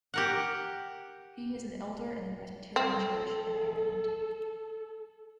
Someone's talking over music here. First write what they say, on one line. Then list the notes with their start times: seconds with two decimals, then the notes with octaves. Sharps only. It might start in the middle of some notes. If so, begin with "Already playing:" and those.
He is an elder in the Presbyterian Church in Ireland.
0.14 G4 A#4 F#5
2.76 C4 A4